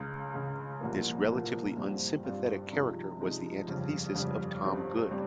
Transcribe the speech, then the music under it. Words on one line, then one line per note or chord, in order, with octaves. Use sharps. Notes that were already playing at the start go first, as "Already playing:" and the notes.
This relatively unsympathetic character was the antithesis of Tom Good.
Already playing: C#2 C#3 G#3
C#2 C#3 G#3
C2 A#2 F3 A#3
C2 A#2 F3 A#3
G2 G3 C4 F4
G2 G3 C4 F4
C3 F3 G#3 D#4
C3 F3 G#3 D#4
G1 F2 C#3 G3
G1 F2 C#3 G3
G1 G2 G3 C4
G3 C4